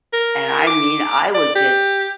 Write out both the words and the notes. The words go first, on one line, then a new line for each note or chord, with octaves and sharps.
and I mean, I would just
A#4
D6
D5
G4